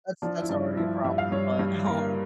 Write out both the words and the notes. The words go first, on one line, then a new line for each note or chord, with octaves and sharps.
that's that's already a problem, but, um
F3 D4
E4
G2 D4
F3 E4
G2 E5
F5
G2 C#5
G2
A#3 A#4